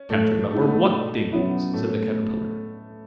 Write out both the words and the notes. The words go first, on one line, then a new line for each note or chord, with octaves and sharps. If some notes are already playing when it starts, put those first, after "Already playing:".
'Can't remember WHAT things?' said the Caterpillar.
Already playing: C#4
A2 A3
G#3 A3 D#4 F#4
B3
A3
B2 A3
F#3 B3 C#4 E4
A2 A3